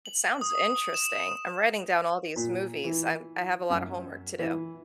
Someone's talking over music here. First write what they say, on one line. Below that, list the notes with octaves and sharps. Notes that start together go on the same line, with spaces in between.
It sounds interesting. I'm writing down all these movies, I'm I have a lot of homework to do.
F#7
D#6
E7
A#2
E3
F#2
E3